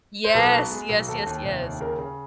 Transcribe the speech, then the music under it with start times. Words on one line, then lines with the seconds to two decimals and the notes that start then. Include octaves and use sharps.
Yes, yes, yes, yes.
0.24 C5
0.35 B1 A4 B4
0.53 B3
0.71 G#3
0.89 B1
1.08 D#2 A4
1.26 D#2
1.45 F1
1.62 D#2
1.80 C#3 A#4
1.99 C#3